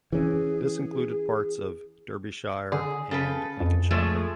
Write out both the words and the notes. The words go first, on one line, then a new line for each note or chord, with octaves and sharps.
This included parts of Derbyshire and Lincolnshire.
E3 C#4 G#4
D3 G#4
C#3 A4 B4
F2
F3 G#3 A3